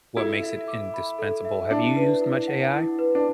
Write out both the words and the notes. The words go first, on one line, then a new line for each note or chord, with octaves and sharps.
what makes it indispensable. Have you used much AI?
E4 A4
E5
D6
B5
A4
E5
D4 E4
B4
E4
F#5
E4
B4
D4